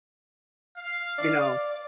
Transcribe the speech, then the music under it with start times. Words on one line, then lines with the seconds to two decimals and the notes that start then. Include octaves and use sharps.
you know.
0.77 F5
1.18 D5